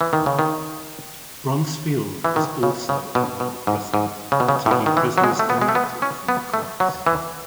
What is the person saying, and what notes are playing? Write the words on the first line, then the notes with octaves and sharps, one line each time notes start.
Bronzefield is also a local prison, taking prisoners directly from the courts.
E3
D#3
C#3
D#3
E3
D#3
C#3
C#3
B2
B2
G#2
G#2
C#3
B2
C#3
A2
B2
D#3
E3
F#3
G#3
A3
B3
G#3
A3
B3
C#4
B3
A3
F#3
E3